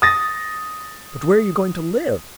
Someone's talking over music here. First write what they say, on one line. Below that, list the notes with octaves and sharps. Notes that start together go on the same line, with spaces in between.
"But where are you going to live?"
D#6 A6 A#6